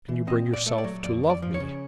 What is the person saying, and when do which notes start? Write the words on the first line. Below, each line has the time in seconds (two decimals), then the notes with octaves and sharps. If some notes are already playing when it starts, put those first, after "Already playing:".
Can you bring yourself to love me?
0.08 E3
0.27 C4 D#5
0.46 A#2
0.53 D5
0.67 A3
0.78 D5
0.84 F#3
1.04 F2 D5
1.23 F2
1.30 D5
1.42 F3
1.54 C#5
1.60 C#3